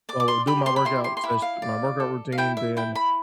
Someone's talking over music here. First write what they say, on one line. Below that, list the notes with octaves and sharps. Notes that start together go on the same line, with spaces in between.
So, do my workout session my workout routine, then,
D5 D6
D6
C6
G4 B5
C6
B5
E4 C6
C6
C6
E4 B5
F5
D5
A4
F5
E4 G5
E5
E4 G5
B5